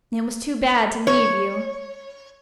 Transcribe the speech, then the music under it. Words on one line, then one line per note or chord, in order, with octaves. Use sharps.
It was too bad to leave you.
C#5